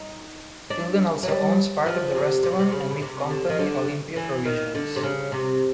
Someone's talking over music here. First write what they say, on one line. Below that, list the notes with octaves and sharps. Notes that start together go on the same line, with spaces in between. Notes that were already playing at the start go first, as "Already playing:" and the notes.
Tilden also owns part of the restaurant and meat company Olympia Provisions.
Already playing: D#4
D4
F#3
G3
F3
C3
C3
B2
C3
C#3
B2
C3
D3
D#3
D3
E3
D#3
D3
C3
C#3
C3